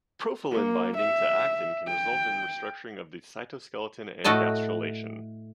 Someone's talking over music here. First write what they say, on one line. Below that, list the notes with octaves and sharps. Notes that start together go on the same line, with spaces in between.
Profilin binding to actin can result in restructuring of the cytoskeleton and gastrulation.
A#3
E5
G5
A2 A3 F#4 D#5 A5